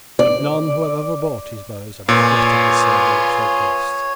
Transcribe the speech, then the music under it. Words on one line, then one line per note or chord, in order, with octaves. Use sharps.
But none who have ever bought his bows have regretted the silver which they cost.
D5
A#2 F4 G#4 B4 C#5